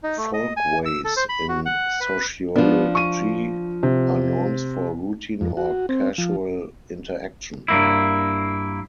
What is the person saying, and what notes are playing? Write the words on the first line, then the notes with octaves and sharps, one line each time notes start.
Folkways, in sociology, are norms for routine or casual interaction.
D#4
A3
D#5
G#5
E6
A4
C5
B5
F#4
F#5
B4
F3 B3 D4
C#6 D#7
C3
F2
F#4
C4
F3
G2 A#3 E4